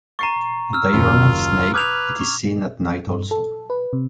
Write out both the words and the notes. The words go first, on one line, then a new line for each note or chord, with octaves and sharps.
A diurnal snake, it is seen at night also.
A#5 C#6 A6 C7 D#7
E6 F6
F#1 D#2 C#3 F4
B4 D6 D#6 F6 G6 G#6 F7
C#6
G2
A4
B4
C3